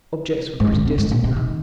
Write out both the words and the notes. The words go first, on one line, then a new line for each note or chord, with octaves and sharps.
Objects were pretty distinct now.
G#2
D#3
D3
C3
G#2
A#2
C3
D#3